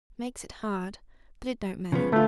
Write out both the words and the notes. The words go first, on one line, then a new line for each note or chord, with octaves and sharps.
Makes it hard; but it don't matter.'
C#3 F3 B3
D3 A3 F4